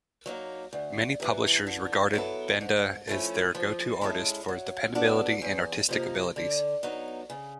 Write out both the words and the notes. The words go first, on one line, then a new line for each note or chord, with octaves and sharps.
Many publishers regarded Benda as their go-to artist for his dependability and artistic abilities.
F#3 A#3 D#4
D2
C3 E3
D3
F#3 B3 E4 A4
G#2
F3 A3 C#4 E4
F3
G#3 C#4 E4 A4
F#3
B3 D4 F#4 A4
E2
C3 F3 A#3 D#4
D3
F#3 B3 D#4
C#3